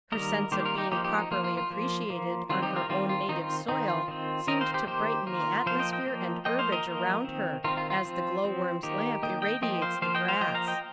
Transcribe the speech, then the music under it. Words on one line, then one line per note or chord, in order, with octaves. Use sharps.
Her sense of being properly appreciated on her own native soil seemed to brighten the atmosphere and herbage around her, as the glowworm's lamp irradiates the grass.
D#3 G3 A#3 A#4 D#5
D#3 G3 A#3 G4 C5
F4 A#4
D#4 G4
F3 A#3 D#4 G4
D#4 G4
D#4
F3 A#3 F4
F4
F4
F3 A#3
F3 A#3
D#3 G3 C4 F4
D#4 G4
F4 A#4
D#3 G3 C4 F4
F4
D#3 C4 D#4
F4
D#3 C4 D#4
F4
D#3 C4
D#3 C4 A#4 D#5
C5 F5
G4 C5
D#3 A#3 G4 C5
D#3 A#3 F4 A#4
F3 A#3 C5 F5
D#5 G5
D#5 G5
F3 A#3
F3 A#3 D#5 G5
C5 F5
A#4 D#5
F3 A#3
D#3 C4
D#3 C4 F4 A#4
F4
F4
F3 C4
F3 C4
D#3 A#3 D#4 G4
D#3 A#3 D#5 G5
D#5 G5
F3 A#3 D#5 G5
C5 F5
F3 A#3 C5 F5
D#5 G5
C5 F5
F3 D#5 G5
A#3
F5 A#5
D#5 G5